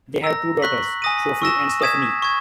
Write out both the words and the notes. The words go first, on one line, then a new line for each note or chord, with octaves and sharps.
They have two daughters, Sophie and Stephanie.
A#5 E6 A#6
C#6 F#6 B6 F#7
G#5 D#6 A#6 D#7
C#6 E6 A#6 E7
D#6 G#6 B6 E7
C#6 G#6